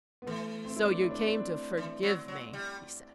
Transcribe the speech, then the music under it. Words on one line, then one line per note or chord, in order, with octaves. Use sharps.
"So you came to forgive me?" he said.
B3
E3 A3
C4
E4
D4
E4
D4
C4
D4
E3
F#3
F#3
G3